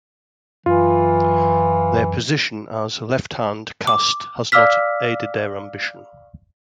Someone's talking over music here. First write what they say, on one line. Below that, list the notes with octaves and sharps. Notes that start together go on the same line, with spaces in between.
Their position as a left-hand caste has not aided their ambition.
F#2 E3 F4
D6
D5 F5 D6 E6 F6 B6